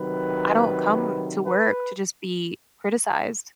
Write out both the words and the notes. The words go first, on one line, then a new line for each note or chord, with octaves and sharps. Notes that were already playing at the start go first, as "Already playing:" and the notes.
I don't come to work to just be criticized.
Already playing: C3 D#3 F#3 B4
B4